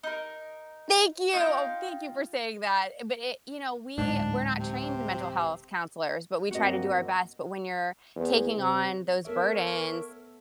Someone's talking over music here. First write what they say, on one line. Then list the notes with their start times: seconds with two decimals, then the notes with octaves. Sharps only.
Thank you! Oh, thank you for saying that e but e You know, we we're not trained mental health counselors, but we try to do our best, but when you're taking on those burdens,
0.03 D#4 A#4
1.33 D#4 F4 F5 G5
3.98 D1 G#2 D4
4.59 C3
6.51 G2 A#3 C4 F#4 D#5
8.16 E2
8.57 C3
9.25 B3 A4 A#4 C#5 E5